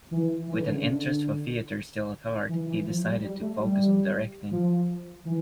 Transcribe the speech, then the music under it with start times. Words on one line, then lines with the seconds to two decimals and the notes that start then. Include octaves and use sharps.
With an interest for theatre still at heart, he decided to focus on directing.
0.11 E3
0.47 E3
0.61 D3
0.73 C#3
0.88 D3
2.49 E3
2.67 E3
2.87 F3
3.04 G3
3.22 G3
3.41 A3
3.59 G3
4.51 F3
5.25 E3